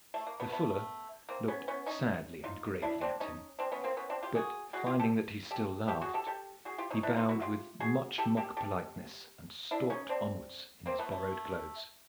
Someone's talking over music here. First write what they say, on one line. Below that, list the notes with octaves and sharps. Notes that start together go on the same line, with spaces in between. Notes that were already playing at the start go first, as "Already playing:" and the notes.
The fuller looked sadly and gravely at him; but finding that he still laughed, he bowed with much mock politeness and stalked onwards in his borrowed clothes.
A3
A#3
A3 B3
A3 B3
A#3 C4
B3 C#4
B3 C#4
C#4 D#4
D#4 F4
D4 E4
C4 D4
C#4 D#4
C4 D4
B3 C#4
A#3 C4
B3 C#4
C4 D4
F4 G4
F#4 G#4
F#4 G#4
F4 G4
G4 A4
G4 A4
G4 A4
F#4 G#4
G4 A4
G4 A4
F#4 G#4
F4 G4
C#4 D#4
D4 E4
D#4 F4
E4 F#4
F4 G4
F#4 G#4
G4 A4
G4 A4
G4 A4
D4 E4
C#4 D#4
C4 D4
A#3 C4
A3 B3
A3